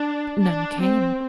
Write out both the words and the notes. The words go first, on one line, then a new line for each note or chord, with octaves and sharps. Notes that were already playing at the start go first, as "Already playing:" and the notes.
None came.
Already playing: D4
D4
C4